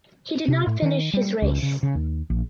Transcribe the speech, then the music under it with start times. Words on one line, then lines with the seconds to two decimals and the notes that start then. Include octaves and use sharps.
He did not finish his race.
0.48 C3
0.67 A2
0.82 D#3
1.14 G3
1.42 C#2
1.63 C#3
1.83 C#3
1.95 D#2
2.30 A#1